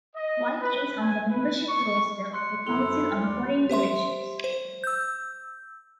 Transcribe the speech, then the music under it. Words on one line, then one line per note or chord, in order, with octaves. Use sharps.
White is on the membership roster of the Council on Foreign Relations.
D#5
B4
G#5
B4
C#6
C6 F#6 C#7
F#2 E4 A4 C6 F7 G7
D#2 D5
G4 C5 E5 C6
C5
E6 G6